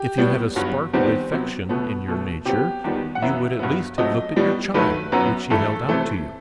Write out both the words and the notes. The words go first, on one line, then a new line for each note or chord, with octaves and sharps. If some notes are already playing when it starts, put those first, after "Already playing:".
If you had a spark of affection in your nature, you would at least have looked at your child, which she held out to you.
Already playing: G4
A2 G3 B3
G2 F#3 B3
E2 D#3 G3 B3 C4
C3 F#3 B3
B2 A3 B3
B2 A3
C3 F#3 B3 G4
E2 D#3 G3 B3
F#5
F#2 E3 B3 E5
G2 F#3 B3
C3 F#3 A3 D#5
A2 G3 B3
G2 D#3 F#3 A3 B4
F#2 F#3 B3
G2 E3 A3 A4
C3 E3 A3